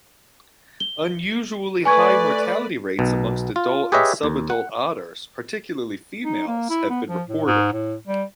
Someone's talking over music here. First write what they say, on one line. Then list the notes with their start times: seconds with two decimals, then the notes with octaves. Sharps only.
Unusually high mortality rates amongst adult and subadult otters, particularly females, have been reported.
0.80 G7
1.85 A3 B4 D5 G#5 C#6 G#6
2.99 B1 B2
3.56 F4
3.92 G4 G#4 B4 C#5 D#5 E5
4.23 D#2
4.50 F#5
6.25 D#4
6.48 A#3
6.70 E4
6.90 B3
7.09 F3
7.28 A2
7.46 G#2
7.73 A2
8.07 G3